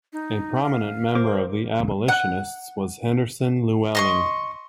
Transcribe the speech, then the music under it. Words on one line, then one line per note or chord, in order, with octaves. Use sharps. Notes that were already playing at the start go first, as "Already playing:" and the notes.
A prominent member of the abolitionists was Henderson Lewelling.
D#4
F5
A#4 C5 D6
F#5
D#5 C6 C#6